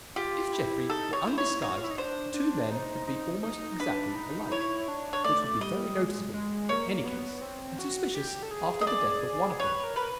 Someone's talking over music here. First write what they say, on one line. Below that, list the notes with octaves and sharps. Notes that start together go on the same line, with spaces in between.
If Jeffrey were undisguised the two men would be almost exactly alike; which would be very noticeable in any case and suspicious after the death of one of them.
F4 G4
E4
D#4 A4
C#5
E4 C5
C#5
D#4 C#5
F#4
F4
E4
D#4
D4 C5
D4
D#4
D#4
D#4
D4 B4
D#4
E4 C#5
D4
C#5
A3 D5
G3 D#5
G#3
G#3
A#3 C#5
B3
C4
F#4
G4
A4
G#4
D#5
D5
B4 C#5
A#4
B4